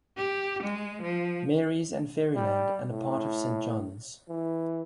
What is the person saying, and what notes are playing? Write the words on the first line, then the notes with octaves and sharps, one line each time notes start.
Mary's and Ferryland and a part of Saint John's.
G4
G#3
F3
G3
A2
E3